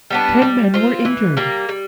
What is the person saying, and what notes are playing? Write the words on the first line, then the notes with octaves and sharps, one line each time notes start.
Ten men were injured.
G3 B3 D4
G3
C4 F4
E3
G3 A#3
G3